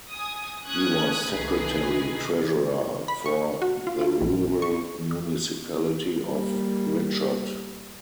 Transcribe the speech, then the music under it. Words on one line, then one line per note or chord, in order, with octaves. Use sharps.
He was secretary-treasurer for the Rural Municipality of Ritchot.
G#5 D#6
C#4 D#6 F#6 G#6
C2 D#3 A3 D#4 G#4 B4
B5
C#6
F#4
F4
F4
A#1
C#6
G3 A#3